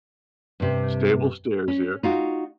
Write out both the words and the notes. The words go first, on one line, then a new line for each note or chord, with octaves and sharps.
stable stairs here,"
G2 C3
C#4
D#4 F4 F#4